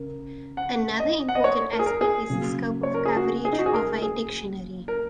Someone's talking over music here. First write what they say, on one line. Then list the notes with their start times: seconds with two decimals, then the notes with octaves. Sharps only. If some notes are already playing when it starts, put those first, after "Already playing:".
Another important aspect is the scope of coverage of a dictionary.
Already playing: C#3 A#4
0.57 F#5
1.00 D#5
1.28 F#5
1.35 D#5
1.44 C#5
1.73 A#4
1.79 G#4
1.86 A#4
2.01 G#4
2.30 C#3 F#3 A#3
2.83 C#5
2.94 A#4
3.05 G#4
3.17 F#4
3.45 G#4
3.53 D#4
3.59 F#4
3.66 G#4
3.74 A#4
4.02 G#4
4.88 A#4